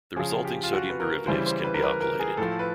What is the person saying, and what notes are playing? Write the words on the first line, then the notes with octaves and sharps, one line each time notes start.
The resulting sodium derivatives can be alkylated.
C#3 F3 G#4
G4
F4
F#4
B4
A#4
C#3 E3 G3 C5
C5
B4
A#4
B4
A#4
G#4
A2 F3 A4
B4